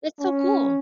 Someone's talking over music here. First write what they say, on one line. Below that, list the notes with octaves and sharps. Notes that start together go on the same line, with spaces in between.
That's so cool.
C#4